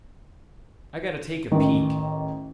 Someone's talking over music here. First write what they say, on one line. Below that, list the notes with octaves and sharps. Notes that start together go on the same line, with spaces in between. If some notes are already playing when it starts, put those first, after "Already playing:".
I gotta take a peek.
A1 D#3